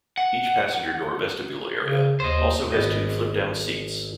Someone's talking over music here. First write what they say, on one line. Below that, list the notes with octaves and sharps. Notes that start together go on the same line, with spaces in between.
Each passenger door vestibule area also has two flip-down seats.
F#5
C#3
D#2 C5 D#5
G#1 B3 D#5